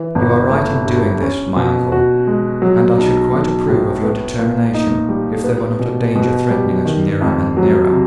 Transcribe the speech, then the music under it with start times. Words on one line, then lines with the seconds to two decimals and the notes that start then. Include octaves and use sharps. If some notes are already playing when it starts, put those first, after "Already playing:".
"You are right in doing this, my uncle, and I should quite approve of your determination, if there were not a danger threatening us nearer and nearer."
Already playing: E3
0.15 G1
0.50 A3
0.86 G2
1.22 C#4
1.56 B2
1.92 F#4
2.27 G#3
2.62 F#3
2.98 B1
3.33 B1
3.68 A2
4.03 B3
4.39 A#2
4.74 D#4
5.09 G3
5.44 B3
5.80 B2
6.16 B2
6.50 G3
6.85 D#3
7.21 F2
7.57 F#3
7.91 C3